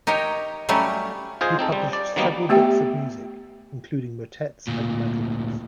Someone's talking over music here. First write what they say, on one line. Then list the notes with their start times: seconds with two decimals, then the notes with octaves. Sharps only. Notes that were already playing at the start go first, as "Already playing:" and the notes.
He published several books of music, including motets and madrigals.
0.07 D#4 G4 A#4 C#5
0.69 F#3 G3 A3 C#4 G4
1.41 F4 G#4 C5 D#5
1.59 C4 D#4 A4
1.72 G3
1.93 D5
2.16 D#3 F#3 G3 A#3 B3 D#4
2.49 A3 B3 G4 E5 G5
4.67 D2 A#2